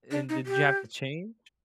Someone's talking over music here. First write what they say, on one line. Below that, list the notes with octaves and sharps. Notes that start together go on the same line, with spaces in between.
and did you have to change?
D4
D#4
G4